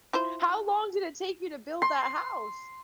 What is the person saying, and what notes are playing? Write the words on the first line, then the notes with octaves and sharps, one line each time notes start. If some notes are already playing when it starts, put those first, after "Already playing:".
How long did it take you to build that house?
E4 F4 C5
C6